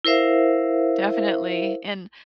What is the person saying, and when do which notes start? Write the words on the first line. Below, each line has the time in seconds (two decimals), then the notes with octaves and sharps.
Definitely, and
0.05 E4 A#4 C5 E5 F5